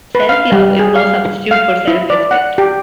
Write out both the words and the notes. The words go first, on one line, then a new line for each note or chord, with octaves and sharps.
Self-love is no substitute for self-respect.
B4
F5
G3
G#4
F5
F5
E4
D5
F#5
G4